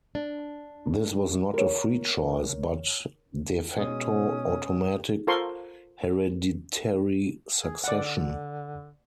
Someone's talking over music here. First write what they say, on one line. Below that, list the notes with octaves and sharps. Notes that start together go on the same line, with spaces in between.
This was not a free choice, but "de facto" automatic hereditary succession.
D4
A#4 C#5
B2 G#3 C#4 D#6
F4 A4 A#4 C5 C6 C#6
G#4
D3 D5 F#5